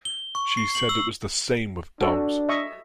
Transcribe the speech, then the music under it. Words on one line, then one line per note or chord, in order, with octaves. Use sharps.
She said it was the same with dogs.
G7
C#6
C7
F#7
E6
D4 F#4 A4
D#5 E5 C#6